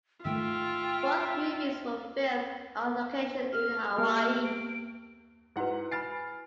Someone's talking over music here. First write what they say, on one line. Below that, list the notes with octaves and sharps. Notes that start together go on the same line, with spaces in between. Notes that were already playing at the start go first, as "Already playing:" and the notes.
Both movies were filmed on location in Hawaii.
G#2 D#3 A3 F4 E5 G5
F6
A#3 G4
D7
G#2 E4 F#4 B4 F#5
G#5 B5 F6 A6 C7